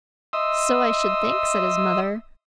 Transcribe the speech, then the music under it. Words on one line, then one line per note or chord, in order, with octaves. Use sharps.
"So I should think," said his mother.
D#5 E5 C6 D#6 E6